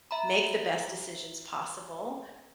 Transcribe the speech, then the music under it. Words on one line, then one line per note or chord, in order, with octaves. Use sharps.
make the best decisions possible,
E5 A#5 B5